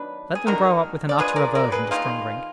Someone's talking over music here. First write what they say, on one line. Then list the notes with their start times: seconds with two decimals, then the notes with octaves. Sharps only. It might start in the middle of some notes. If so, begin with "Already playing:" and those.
Let them grow up with an utter aversion to strong drink.
Already playing: D#3 F#3 B3 D4 B4
0.35 G#4
0.47 D3 G#3 D#4 F#4 A#4
1.09 D5
1.19 F3 G#3 D4 F4 G#4 B4
1.36 A#4 D5
1.55 A#4 D5
1.72 G#4 B4
1.91 D#3 A#3 F4